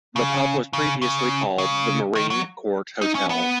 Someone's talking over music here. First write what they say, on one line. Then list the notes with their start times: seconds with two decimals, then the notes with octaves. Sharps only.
The pub was previously called the Marine Court Hotel.
0.16 C#3
0.73 C#3
1.02 C#3
1.58 C#3
2.15 D#3
2.30 F#3
3.01 D#4
3.15 C#4
3.30 B3